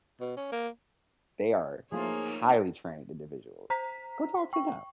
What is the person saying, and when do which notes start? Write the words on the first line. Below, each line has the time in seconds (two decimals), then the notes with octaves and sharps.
They are highly trained individuals. Go talk to them."
0.20 B2
0.37 C#4
0.52 A#3
1.92 F3 A3 A#3 D#4 F4 G#4 C#5
3.70 C5 A#5 B6
4.53 G5 C#6